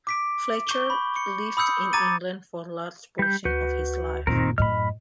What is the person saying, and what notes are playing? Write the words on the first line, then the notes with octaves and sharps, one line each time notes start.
Fletcher lived in England for a large portion of his life.
D6 B6 D7
C#6 G6 G7
B5
C#7
B5 D#6 E6 G6 C#7
A#5 D6 G#6 A6 D#7
G3 G6
D2 F#4 B4 G6
F#1 A#2 D#3 C4 A#4
F#2 A2 D#5 B5 F6